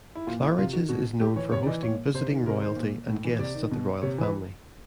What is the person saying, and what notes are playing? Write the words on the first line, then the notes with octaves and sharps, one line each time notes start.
Claridge's is known for hosting visiting royalty and guests of the Royal Family.
E4
A#2 F4
E4
C3 F4
D#3 F#4
B2 F#4
A2 G4
E3 C#5
C3 C#5
D5
E3 D#5
A#2 C#5
C3 C5
D#3
C3 A#4
D#3 C5
A#2
A2
E3
C3 D5
D#3
B2
C3 C#5
E3 B4